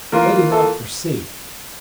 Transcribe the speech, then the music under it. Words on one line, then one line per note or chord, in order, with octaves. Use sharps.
They did not foresee....
E3 A#3 F4 A#4
A4